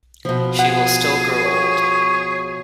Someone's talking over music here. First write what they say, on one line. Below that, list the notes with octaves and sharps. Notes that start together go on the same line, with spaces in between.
She will still grow old.
B2 F3
G#4 F#5
C#5